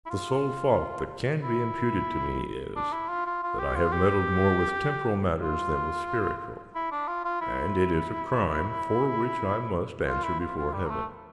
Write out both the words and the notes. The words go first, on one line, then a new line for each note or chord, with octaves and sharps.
The sole fault that can be imputed to me is, that I have meddled more with temporal matters than with spiritual, and it is a crime for which I must answer before Heaven.
E4
F4
E4
D4
E4
F4
F4
F4
G4
F4
G4
F4
E4
D4
F4
F4
E4
F4
E4
F4
F4
G3
A#3
A3